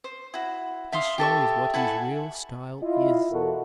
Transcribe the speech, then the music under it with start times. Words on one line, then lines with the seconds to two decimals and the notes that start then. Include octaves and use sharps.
He shows what his real style is.
0.04 C5
0.34 E4 F#4
0.92 E5 F5 C6 D#6
1.18 G4 A4 E5 C#6
1.74 E4 A4 F#5 G#5
2.82 E4 F4 D#5
3.31 E2 B2 E4 F#4 A4 A#4